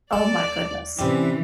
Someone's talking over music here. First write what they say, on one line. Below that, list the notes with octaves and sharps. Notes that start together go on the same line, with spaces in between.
Oh my goodness.
D#2 F#3 A4 D5
A2 C3 E3 G3 C4 C#4